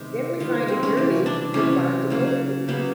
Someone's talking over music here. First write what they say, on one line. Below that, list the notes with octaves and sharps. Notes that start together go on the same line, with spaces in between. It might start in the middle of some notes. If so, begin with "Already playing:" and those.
Then we find a journey for Bond to go through.
Already playing: C3 D#3 G#3 B3
C3 D#3 G#3 B3 F4
C4
C#4
C3 E3 G3 A#3
D4
C3 E3 G3 A#3 C#4
C#3 F#3 A#3
C#3 F#3 A#3 B3